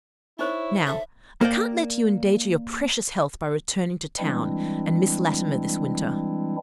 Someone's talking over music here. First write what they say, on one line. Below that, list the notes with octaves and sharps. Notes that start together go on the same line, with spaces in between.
Now, I can't let you endanger your precious health by returning to town and Miss Latimer this winter.
D#4 E4 C5 C#5 C#6
A4 E5
A#3 A#4 D5 G5
E3 G3 G#3 C4 D4 E4